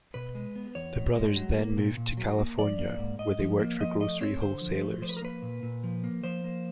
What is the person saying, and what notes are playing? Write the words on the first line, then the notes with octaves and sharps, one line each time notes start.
The brothers then moved to California where they worked for grocery wholesalers.
B2 B4
G#3
B3
E2 C#5
B2
G#3
F#3
A#3
A#2
A#2
F#3
A#3
F3 D5
A#3
G#2
G#2 D#5
F3
A#3
F3 D#5
A3 D#5
C4 C#5
D3 C5
F3
A3
F3 C5
B4
A#4
A#3 B4
A#2
A#2
F3
A#3
F3 C5
A#3